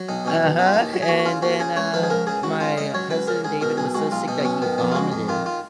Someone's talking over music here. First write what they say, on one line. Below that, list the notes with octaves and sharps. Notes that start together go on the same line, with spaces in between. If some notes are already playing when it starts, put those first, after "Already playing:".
Uh-huh, and then, uh, my cousin David was so sick that he vomited,
Already playing: F#3
B1 D#4
B2 C#4
B3
B1
C#3 D#4
F4
D#2 D#4
F#3
G#4
D#2 F#4
F#4
C#3 F4
D#2 F#4
C#3 G#4
C#2 C#5
F3 B4
G#4
C#2 A#4
C#3 G#4
C#2 F#4
C#3 F4
C#2 D#5
F#3 C#5
C#2 B4
C#3 A#4
C#2 G#4
B2 A#4
B1 G#4
G#3 F#4
B1 F4
B2 D#4
B3
B1 C#4
D#3 B3
F2 B3
F4
G#3 F#4
F2
D#3 F4
F4